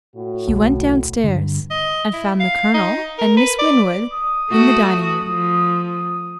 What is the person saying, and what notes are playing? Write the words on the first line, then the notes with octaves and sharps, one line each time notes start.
He went downstairs, and found the Colonel and Miss Winwood in the dining-room.
A2 F#4
D1 B1 A3
G2 D3
D#5
E4
F5
D#4
A#4
B4
D5
D#6
A3 F#4
F3